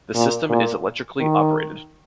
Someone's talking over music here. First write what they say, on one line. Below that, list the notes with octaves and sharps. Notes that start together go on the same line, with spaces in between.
The system is electrically operated.
A#2
A#2
D#3